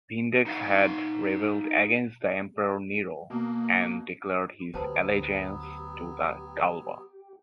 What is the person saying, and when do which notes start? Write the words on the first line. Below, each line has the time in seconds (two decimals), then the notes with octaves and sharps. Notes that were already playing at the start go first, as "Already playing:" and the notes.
Vindex had rebelled against the Emperor Nero and declared his allegiance to Galba.
0.46 D#4 F5 F#5
3.30 B2 A#3
4.74 D2 F#3 B3 G4 B4 C5 A5